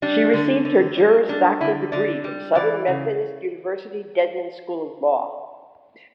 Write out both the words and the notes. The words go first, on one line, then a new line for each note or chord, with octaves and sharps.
She received her Juris Doctor degree from Southern Methodist University Dedman School of Law.
G3 D4
D3
D3
G3
G3 D4
D3 E4
D3 D5
G3
E3 D5
C#3